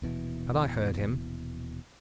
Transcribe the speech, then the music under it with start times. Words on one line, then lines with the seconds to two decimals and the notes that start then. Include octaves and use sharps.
Had I heard him?
0.02 D#1 B2 E3